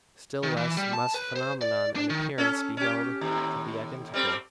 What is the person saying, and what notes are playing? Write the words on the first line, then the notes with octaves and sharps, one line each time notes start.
Still less must phenomenon and appearance be held to be identical.
D#3
E3
G3
A5
B4
C5
D5
D4
D#3
C#4 A4
C#4 G4
D#2 A2
G3 A3 C4